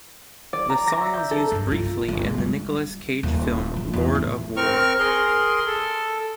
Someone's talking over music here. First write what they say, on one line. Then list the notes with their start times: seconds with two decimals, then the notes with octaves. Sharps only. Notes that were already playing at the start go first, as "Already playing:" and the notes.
The song was used briefly in the Nicolas Cage film "Lord of War".
0.53 D5
0.70 A#5
0.87 A#6
1.01 E5
1.14 G6
1.31 A4
1.52 G2
1.72 F4
2.08 G1
2.24 G#3
2.38 G3
3.23 D#1
3.76 F3
3.93 E2
4.15 A1
4.57 C4 A#4 C#6 F6
4.99 G#4 A#4 C6
5.66 A4